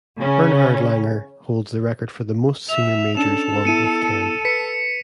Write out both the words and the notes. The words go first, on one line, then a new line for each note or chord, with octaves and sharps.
Bernhard Langer holds the record for the most senior majors won with ten.
C#3 C#4
E5 F7
C#4 D4 A4 E7
B3 E4 C#7 D#7
B4 B6 C#7